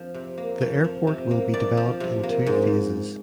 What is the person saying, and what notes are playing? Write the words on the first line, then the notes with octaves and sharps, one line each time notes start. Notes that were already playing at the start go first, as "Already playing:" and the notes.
The airport will be developed in two phases.
Already playing: F2 F3
C3
A#3
F2
F3
C3
A#3
F2 D5
F3
C3
A#3
G#2